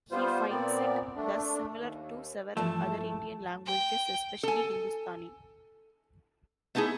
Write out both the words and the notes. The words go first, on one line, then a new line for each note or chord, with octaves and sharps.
He finds it thus similar to several other Indian languages, especially Hindustani.
G3 B3 F4 C5
A#2 B3 C4 D5
A3 D4
D#2
G2 E3 F3 A3 A5
G5
A4 G#5
A3 B3 D#4 E4 G#4